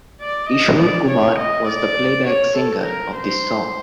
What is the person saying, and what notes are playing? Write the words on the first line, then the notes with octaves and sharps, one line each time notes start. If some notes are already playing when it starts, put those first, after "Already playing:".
Kishore Kumar was the playback singer of this song.
D5
D#5
D5
C#5
D#5
D5
C#5
A4
A#4
C5